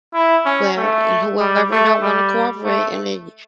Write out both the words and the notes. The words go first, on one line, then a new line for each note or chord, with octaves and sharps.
well, and whoever don't wanna cooperate and then
E4
C#4
A3
G3
A3
G3
A3